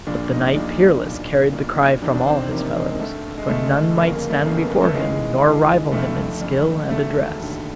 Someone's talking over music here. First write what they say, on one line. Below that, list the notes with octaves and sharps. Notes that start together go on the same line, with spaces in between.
But the Knight Peerless carried the cry from all his fellows, for none might stand before him, nor rival him in skill and address.
A#1 A#2 D4
D#4
A#1 A#2 D4
B1 A#2
B1 A#2
F1 E2 C3 D#3 D4
D4
C4
F1 E2 C3 D#3 A#3
G#3
D2 D3 A3
G#3
D2 D3 A3
G1 F2 C#3 A#3
A#3
A3
G1 F2 C#3 A#3
B3
A#3
A3
D#2 C#3 E3 G#3
D#2 C#3 E3
F#1 F2 D3 A3
F#1 F2 D3
E1 D#2 D3 A3
E1 D#2 D3